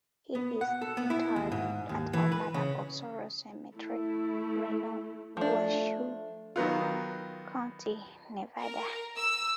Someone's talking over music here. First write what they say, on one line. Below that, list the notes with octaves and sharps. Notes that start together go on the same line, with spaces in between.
He is interred at Our Mother of Sorrows Cemetery, Reno, Washoe County, Nevada.
B3
F#5
A4
B3
E4
D#2
G#2
D#2
E3
B4
C#3
A3 E4
F3 A3 D4
D#3 F#3 B3 F4
A#4
E6